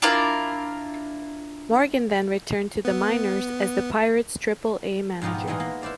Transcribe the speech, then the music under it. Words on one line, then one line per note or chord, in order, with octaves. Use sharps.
Morgan then returned to the minors as the Pirates' Triple-A manager.
D4 E4 F4 A#4
B3
G#2 B2 F3 D#4 G4
B3
A#2 E3 D#4 F4 G#4
A#3 B3
E4 B4 C5 D5 F5